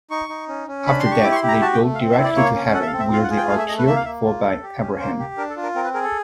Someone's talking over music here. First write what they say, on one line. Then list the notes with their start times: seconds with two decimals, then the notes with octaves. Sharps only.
After death they go directly to Heaven, where they are cared for by Abraham.
0.11 D#4 C#6
0.29 D#4
0.48 C#4
0.68 C#4
0.86 D4 B5
0.99 C6
1.05 G4
1.11 C#6
1.23 E4 D6
1.32 C#6
1.35 C6
1.43 G4
1.48 A#5
1.61 F#4 A5
1.74 G5
1.80 A3
1.95 F5
1.99 C4 E5
2.11 E5
2.17 E4
2.24 D5
2.36 A#3 C#5
2.55 C#4
2.74 A4 F#5
2.82 E5
2.86 F5
2.93 C4
2.99 E5
3.12 F4 F5
3.24 F#5
3.30 G#4
3.37 G5
3.49 A3 F5
3.59 E5
3.68 A3 D#5
3.78 B4
3.86 A#3 E5
3.96 F5
4.05 A#3 E5
4.24 F4
4.44 A4
4.62 G4
4.81 C#4
4.99 A#3 C5
5.19 G4
5.37 D4 A#4
5.50 A4
5.56 F4
5.63 A#4
5.75 C4 A#4
5.84 B4
5.94 G#4 A#4
6.03 A4